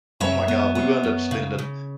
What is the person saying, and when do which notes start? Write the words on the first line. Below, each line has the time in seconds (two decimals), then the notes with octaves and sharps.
Oh my god. We wound up spending
0.20 F#2 C#5 E5
0.48 B3
0.75 B3
1.03 F#2
1.31 C#3
1.59 C#3